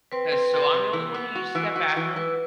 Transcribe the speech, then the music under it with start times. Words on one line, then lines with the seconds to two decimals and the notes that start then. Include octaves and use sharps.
'cause so I'm the only one who uses that bathroom,
0.12 C4 B4
0.32 C4
0.53 C3
0.74 C3
0.93 E3
1.14 B3
1.35 F#4
1.55 E3
1.76 F#4
1.96 E3
2.16 E3 B4